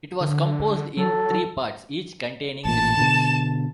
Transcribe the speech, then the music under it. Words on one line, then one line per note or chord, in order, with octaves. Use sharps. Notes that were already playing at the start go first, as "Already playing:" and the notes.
It was composed in three parts, each containing six books.
D3
F#3 A4
A1 A#2 A5 E7
B2 D3